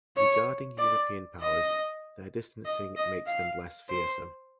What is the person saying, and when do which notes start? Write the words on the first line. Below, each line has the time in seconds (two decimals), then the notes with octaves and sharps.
Regarding European powers, their distancing makes them less fearsome.
0.17 C#5
0.79 D5
1.41 D#5
2.65 D#5
2.96 D#5
3.27 F5
3.90 C5